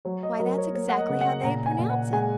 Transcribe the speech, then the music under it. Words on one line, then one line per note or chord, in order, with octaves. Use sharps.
"Why, that's exactly how they'd pronounce it!"
F#3 C#5
D#5
F#3 A#4
C#5
A#3 C#5
F#5
D#5
C#3
F#5
A#2 A#5
G#5
A#2
F#5
G#3 G#5